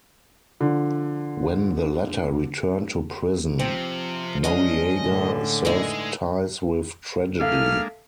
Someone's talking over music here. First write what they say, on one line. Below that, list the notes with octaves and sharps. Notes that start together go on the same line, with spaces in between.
When the latter returned to prison, Noreaga severed ties with Tragedy.
D3 F3
C3 F3 C4
G#3 C#4 D4 D#5
A2 D3
G2 G#3 D#4 E4 G#4
G#3 A#3 D4 A4 E5 F5 F6